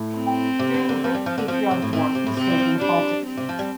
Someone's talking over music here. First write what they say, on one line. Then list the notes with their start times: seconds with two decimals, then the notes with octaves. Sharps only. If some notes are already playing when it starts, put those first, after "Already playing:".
During the Great Patriotic War he served in the Baltic Fleet.
Already playing: A2
0.15 C4
0.59 C3
0.74 D3
0.89 D3
1.04 F3
1.15 G3
1.26 F3
1.38 D3
1.48 F3 C4
1.71 C3
1.82 A2
1.93 A2 C4
2.15 C3
2.26 A2
2.37 C3 C4
2.50 G3
2.60 F3
2.81 G3 D4
3.26 C4
3.37 C3
3.49 F3
3.59 G3